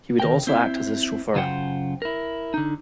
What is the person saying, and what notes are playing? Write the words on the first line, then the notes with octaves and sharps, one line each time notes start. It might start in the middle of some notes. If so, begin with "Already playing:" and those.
He would also act as his chauffeur.
D#3 A#4 G5
C4 E4
F#2 C#3 F4 C5 F#5 G5
E4 A#4
D3 D#4